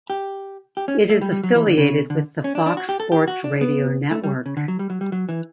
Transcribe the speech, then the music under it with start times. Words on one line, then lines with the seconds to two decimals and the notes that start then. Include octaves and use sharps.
It is affiliated with the Fox Sports Radio network.
0.10 G4
0.77 G4
0.88 C#4
1.10 A3
1.22 G3
1.32 G3
1.44 F#3
1.55 E3
1.66 D3
1.77 C#3
2.10 D3
2.44 C#4
2.55 D4
2.66 D4
2.77 F#4
2.89 G4
3.00 A4
3.12 G4
3.28 F#4
3.44 D4
3.61 B3
4.11 A3
4.24 G3
4.46 C#3
4.57 D3
4.68 F#3
4.79 G3
4.90 F#3
5.01 G3
5.12 F#3
5.29 E3